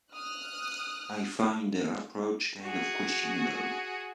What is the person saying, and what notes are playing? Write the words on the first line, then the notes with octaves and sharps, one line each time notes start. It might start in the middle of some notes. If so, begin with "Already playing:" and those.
I find her approach kind of questionable.
D#6 F6 F#6
F#4 G#4